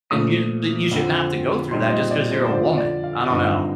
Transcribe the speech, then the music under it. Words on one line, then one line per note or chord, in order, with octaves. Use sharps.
and you you shouldn't have to go through that just 'cause you're a woman. I don't know.
A#2 F3 A3 D#6
F2 D3 F3 C4
A#2 G3 C4 D#4 C6
D#5
D5
C5
C5
F2 D3 F3 D5
D5
F5
G2 D3 F3 C4 D#4 D#5